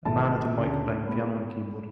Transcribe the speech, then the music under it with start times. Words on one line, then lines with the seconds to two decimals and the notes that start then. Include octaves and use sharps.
A man at a mic playing a piano and keyboard.
0.05 G#1 G#2 E3 A3 A5
0.57 D2 C#3 G#3 C#4
1.07 A2 G#3 B3 B5